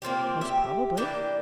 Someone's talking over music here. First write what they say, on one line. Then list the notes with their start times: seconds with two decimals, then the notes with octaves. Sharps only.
"Most probably."
0.02 A#3 C4 F4 G4
0.41 G4 E5
0.97 E3 A#3 D4 G5